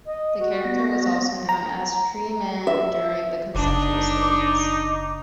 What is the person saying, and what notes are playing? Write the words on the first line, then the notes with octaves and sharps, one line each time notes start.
The character was also known as Tree Man during the conceptual stages.
D#5
F#4
B3 A#6
A#5
E5
F#1 D4 D#4 D6